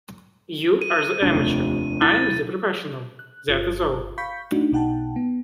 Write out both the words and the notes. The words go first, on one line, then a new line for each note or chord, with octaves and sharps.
You are the amateur, I am the professional — that is all.
D#7
F1 D#2 D4
E4 A6
F#6
G1 F4
F5 B5 C#6 G6 B6
A3 D4 D#4 F#4
B1 B2 D#4 F#5 G5 A5
B3